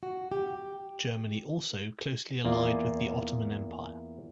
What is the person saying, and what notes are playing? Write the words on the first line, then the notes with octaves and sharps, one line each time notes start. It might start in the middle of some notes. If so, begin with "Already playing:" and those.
Germany also closely allied with the Ottoman Empire.
F#4
G4
E2 A#3 F4 D5